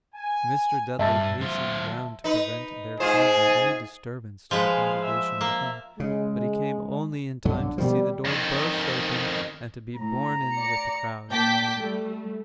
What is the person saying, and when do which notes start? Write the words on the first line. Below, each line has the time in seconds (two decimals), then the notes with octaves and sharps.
Mr. Dudley hastened round to prevent their causing any disturbance to the congregation within; but he came only in time to see the door burst open, and to be borne in with the crowd.
0.14 G#5
0.99 G2 E5 A5 A6
1.41 F#3 C5
2.24 D#4 B4
3.00 G#2 F4 G#4 C5
4.51 F3 G#3 G#4 B4 F5
5.05 E5
5.41 A#3
6.00 C#3 G#3
7.45 B1 G2 D3 F#3
7.78 B2 D#3 F3 G3
8.25 F2 D#3
9.96 A2 A#5
10.54 D5 C#7
11.31 A#2 G5 A5 D6 G6 B6
11.79 G3 A3